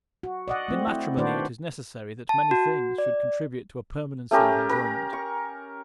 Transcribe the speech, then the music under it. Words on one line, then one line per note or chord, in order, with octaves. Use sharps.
In matrimony it is necessary that many things should contribute to a permanency of enjoyment.
F#4
D5 D#5 F#5
A3 C4
E4
D#3 D4 F#4 B4 C5 D5
A5
F#4
D5
A3 C#4 G4 A#4
A#4
C#6